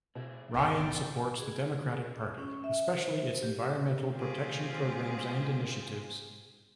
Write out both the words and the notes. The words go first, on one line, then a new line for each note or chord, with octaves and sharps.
Ryan supports the Democratic Party, especially its environmental protection programs and initiatives.
B2 C4 E4 G#4
A#1 D#2 G#2 B3 D5 G5
G#4
C#4
E5
C5
G4
G4
B2 G#3 C4 F4 G4 G#4